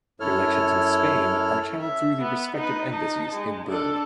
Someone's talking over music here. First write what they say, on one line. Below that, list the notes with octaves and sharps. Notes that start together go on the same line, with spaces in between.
Relations with Spain are channeled through the respective Embassies in Bern.
F#2 E4 A4 C#5 F6
E5
B3
D#4 B4
D#4 A5
G#3
D4 A4